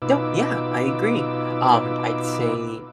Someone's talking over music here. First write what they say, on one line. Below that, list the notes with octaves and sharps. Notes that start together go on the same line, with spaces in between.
No, yeah, I agree. Um, I'd say
B2 D#4 F4 B4 D6 E6